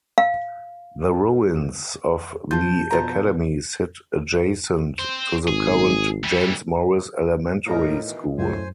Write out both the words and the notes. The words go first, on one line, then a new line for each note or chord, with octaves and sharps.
The ruins of the academy sit adjacent to the current James Morris Elementary school.
F5
B2 F3 F4 A5 G6
F2 B2 D4 F4 A#5
C4 C5
G#1 G#4
E3 G3
D2 A2 G3 F4 A#4 D#5
B2 D#3 E3
F#2 A2 C5 G#5